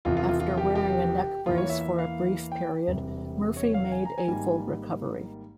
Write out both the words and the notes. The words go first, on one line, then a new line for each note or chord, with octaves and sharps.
After wearing a neck brace for a brief period, Murphy made a full recovery.
E1 E2 C3 F3 F4
F4
F4
F4
G4
G4
E2 E3 A#3 F4
C#5
E5
E5
F5
G5
E1 E2 C3 G3
C#5
F5
G#5
A#5
G#5
G#1 G#2 G3 A#3